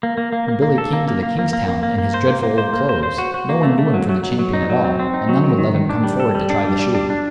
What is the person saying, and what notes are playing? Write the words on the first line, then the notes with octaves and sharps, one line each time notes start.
When Billy came to the king's town, in his dreadful old clothes, no one knew him for the champion at all, and none would let him come forward to try the shoe.
A#3
A#3
A#3
A#3
A#3
A4
A#3
A#3
A#3
A#3
A#3
A#3
A#3
A#3
C5
A#3
A#3
C5
A#3
C5
C5
F#4
F#4
A#3
A3
A3
F#3
F#3
F#3
F#3
D#4
F#3
C4
C4
D#4
F#3
D#3
D#3
D#3
D4
G3
A4
G3
D4
G3
G3
D4
D4